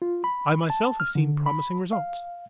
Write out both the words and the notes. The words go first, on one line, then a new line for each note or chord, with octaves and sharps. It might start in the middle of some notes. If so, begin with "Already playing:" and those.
I myself have seen promising results.
F4
B5
A5
F6
D3
B5
F5